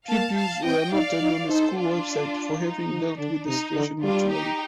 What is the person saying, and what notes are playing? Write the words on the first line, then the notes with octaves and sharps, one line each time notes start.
Pupils were noted on the school's website for having dealt with the situation maturely.
A#3 F5 A5
F5 A5
C4 D#5 G5
D#4 D5 F5
D#4
D#4 A4 C5
D4 F4
D#4
F3
D3 D4
C3 D#4
D3
G3 D4 F4
D#4 G4